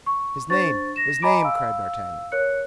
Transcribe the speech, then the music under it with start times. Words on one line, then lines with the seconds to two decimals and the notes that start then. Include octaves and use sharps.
"His name; his name!" cried d'Artagnan.
0.06 C#6
0.50 D4 C5 C#6 A6
0.96 A#6 E7
1.22 D#5 G#5 A#5 B5 D6 D7
1.44 F5 E6
2.32 A#4 C#5 F#6 C#7